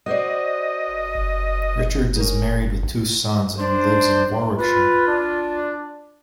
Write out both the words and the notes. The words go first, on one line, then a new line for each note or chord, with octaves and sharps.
Richards is married with two sons, and lives in Warwickshire.
F#4 C5 D5 D#5
G#4 A#4 C#5
D4 C5
F4 B4
D4